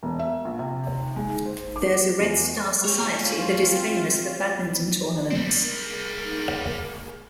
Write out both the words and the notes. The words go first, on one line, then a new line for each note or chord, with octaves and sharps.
There's a Red Star Society that is famous for Badminton tournaments.
E1
E5
A#1
C3
G#3
C5
D6
E2
G#3 C4 F4 C#5
G3 C4
A#4